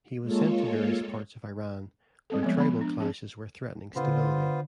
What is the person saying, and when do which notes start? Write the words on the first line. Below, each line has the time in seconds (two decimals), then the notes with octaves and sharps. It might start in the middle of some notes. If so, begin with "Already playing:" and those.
He was sent to various parts of Iran where tribal clashes were threatening stability.
0.23 G#3 A#3 F4 A4 C#5
2.30 G3 C4 A4
2.43 F3 G#3 B3
2.57 F3 B3 B5
2.81 D4
2.98 F3 C4 G#4
3.96 D3 B3 F4 C5